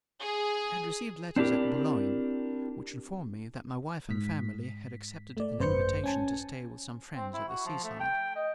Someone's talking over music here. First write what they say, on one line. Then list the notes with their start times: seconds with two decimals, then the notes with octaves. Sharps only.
I had received letters at Boulogne, which informed me that my wife and family had accepted an invitation to stay with some friends at the sea-side.
0.21 G#4
1.36 C4 D4 E4 G4 A#4
4.09 G#2 B6
5.37 A3 D5
5.59 G#1 F#2 B4 C5 G6 C#7
6.04 C#4 G#5 A5
7.15 C4
7.34 E4
7.48 F#4
7.66 F3
7.83 A3
8.00 G5
8.36 D#5